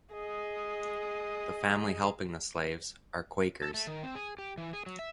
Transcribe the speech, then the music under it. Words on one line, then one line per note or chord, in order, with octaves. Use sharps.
The family helping the slaves are Quakers.
G#4 D#5
A4
A3
D#3
C4
G#4
G4
E3
G#4
F#3
E5